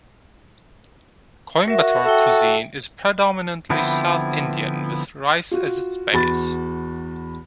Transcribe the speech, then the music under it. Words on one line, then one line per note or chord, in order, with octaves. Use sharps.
Coimbatore cuisine is predominantly south Indian with rice as its base.
F#4 A#4 E5
A4 E5 G5
D3 F3 B3 C4 E4
F4 F#4
E2 F#4 B5 A6